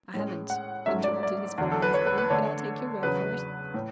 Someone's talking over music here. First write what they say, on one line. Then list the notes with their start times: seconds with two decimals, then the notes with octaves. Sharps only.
I haven't," interrupted his friend pleasantly, "but I'll take your word for it.
0.14 A2 G#3 C#4
0.50 F#5
0.86 G#2 F#3 A3 C#4 E5
1.04 D5
1.23 D5
1.58 E2 D3 F#3
1.72 A4
1.82 B4
1.94 C#5
2.06 B4
2.18 B4
2.30 D3 A3 D4 C#5
3.02 E2 C#3 F#3 B4
3.74 A2